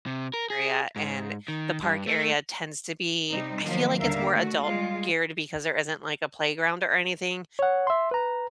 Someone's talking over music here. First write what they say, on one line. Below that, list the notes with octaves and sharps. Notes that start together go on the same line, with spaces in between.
area, and the park area tends to be I feel like it's more adult-geared because there isn't, like, a playground or anything,
C3
A#4
G#4
G#2
D#3
G2
A3
C3 G3 C4 D#4
D#3 F3 F#3 A#3
D#2 D3 G3 A#4 E5 F5
A3 F#4
G3 G#3 F4
C#5 F#5
E5 C6
B4 A#5